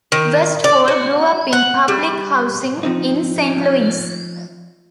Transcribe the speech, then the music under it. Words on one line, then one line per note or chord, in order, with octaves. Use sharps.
Westfall grew up in public housing in Saint Louis.
D#3
D5
F#4
F#5
G3
F3 C4 D#4